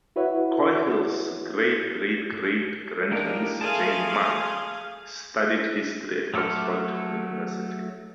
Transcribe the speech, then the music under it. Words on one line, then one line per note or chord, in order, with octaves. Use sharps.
Coghill's great-great-great grand-niece, Jane Mann studied History at Oxford University.
E4 F#4 B4 C#5 E5 F#5
A2 A#3 D4 D#4 G4 A#4
A3 G#4 F5 G#5 A5 C6 D#6
F#3 A3 A4 D6 F6